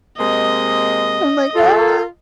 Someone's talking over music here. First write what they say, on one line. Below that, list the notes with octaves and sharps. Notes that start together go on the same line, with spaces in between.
I'm like, "Ah."
C3 G#3 A#3 D#5
F4 A4